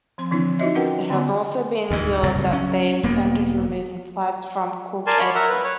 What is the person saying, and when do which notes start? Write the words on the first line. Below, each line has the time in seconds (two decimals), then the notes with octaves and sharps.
It has also been revealed that they intended removing flights from Cork Airport.
0.18 F3 C4 C6
0.31 D3 E3 F3 C4 D4 E4
0.59 D#4 F4 F#4 C#5 D#5 E5
0.75 C#4 F#4 A#4 B4 F#5 G5
1.10 D3 B3 D5 C6 D6
1.91 D2 G#2
2.23 F#1 C2 G2
2.51 F#3 C#4
3.03 E1 A#3 B3
5.07 A#4 D5 G#5 A5 C6
5.19 C#5 B5
5.35 A#4 E5 F#5
5.49 B4
5.64 C#5